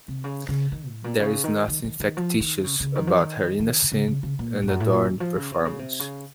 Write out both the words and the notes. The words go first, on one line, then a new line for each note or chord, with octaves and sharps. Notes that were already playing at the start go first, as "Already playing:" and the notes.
There is nothing factitious about her innocent, unadorned performance.
C3
C#3
C#3
D#3
A2
A#2
C#3
D#3
D#3
D#3
D#3
F3
D#3
C#3
C#3
D#3
F3
D#3
D#3
C#3
C#3
C#3
A#2
A2
F2
F#2
A2
A#2
D#3
F3
C#3
C3
C#3
C3
C#3